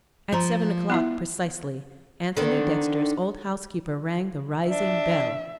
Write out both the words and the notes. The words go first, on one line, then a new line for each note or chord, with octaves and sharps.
At seven o'clock, precisely, Anthony Dexter's old housekeeper rang the rising bell.
F3 C5 A#5
B3 E4 E5
D3 D#3 C4
D4 E5